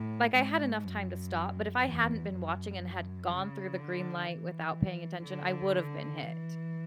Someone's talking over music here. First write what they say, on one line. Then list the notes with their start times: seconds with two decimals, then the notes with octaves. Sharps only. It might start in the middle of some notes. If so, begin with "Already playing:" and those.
like, I had enough time to stop, but if I hadn't been watching and had gone through the green light without paying attention I would've been hit.
Already playing: A2
0.35 G#2
0.85 F#2
1.82 E2
2.31 F#2
3.29 C#3
3.78 D3
4.27 E3
5.25 D3
6.23 E3